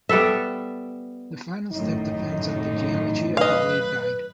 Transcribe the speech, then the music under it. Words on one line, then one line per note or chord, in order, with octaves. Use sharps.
The final step depends on the geometry of the waveguide.
G3 B3 A4 E5
G#1 F#2 A2 D#4
B4 D#5 F5